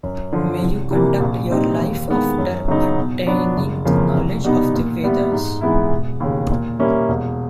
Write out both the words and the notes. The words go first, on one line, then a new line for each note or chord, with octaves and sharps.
May you conduct your life after attaining the knowledge of the Vedas.
F#2
D3 F3
C2
C3 E3 G3 A#3
A#1
A#2 G3 C4 D#4
D#2
D#3 G#3 B3
F#2
C#3 F#3 B3 D#4
B2
F#3 B3 D4
F#1
F2 C#3 F3 A#3
C2
B2 G3 B3 D#4
A#2
G3 B3 E4
G#2
E3 G#3 B3 E4
E1
D#2 C#3
A#2
G3 A#3 C#4 E4
E1